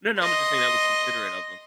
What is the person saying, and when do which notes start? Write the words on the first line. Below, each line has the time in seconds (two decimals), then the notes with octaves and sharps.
No, no, I'm just saying that was considerate of them.
0.18 D#5 C6